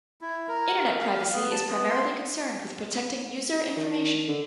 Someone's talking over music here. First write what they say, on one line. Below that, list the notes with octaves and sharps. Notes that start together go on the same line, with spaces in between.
Internet privacy is primarily concerned with protecting user information.
E4
A#4
F5
F5
B3
A5
B3
C6
D#3
D3